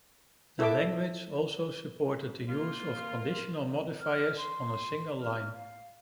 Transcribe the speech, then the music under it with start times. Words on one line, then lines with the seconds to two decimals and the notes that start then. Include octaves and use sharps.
The language also supported the use of conditional modifiers on a single line.
0.59 E4 A4 E5 D6
2.48 A#3 F4
4.01 F6
4.37 C6
5.21 F6
5.54 F5